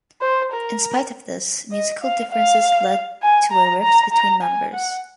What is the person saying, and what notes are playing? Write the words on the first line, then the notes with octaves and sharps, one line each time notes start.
In spite of this, musical differences led to a rift between members.
C5
A#4
D#5
F5
F5
G#5
A#5
A#5
A#5
G#5
F#5